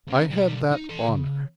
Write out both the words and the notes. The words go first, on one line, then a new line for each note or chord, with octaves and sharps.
I had that honour.
C#2 C#3
B1 G3
D#4
A4 C6
C#3